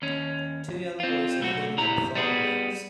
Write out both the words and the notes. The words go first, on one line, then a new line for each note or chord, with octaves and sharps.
Two young boys are cleaning up fallen leaves.
D#2 C#4
C4 F4
B1 A3 F#4
A#2 E4 G4 A#5
G3 B3 G#4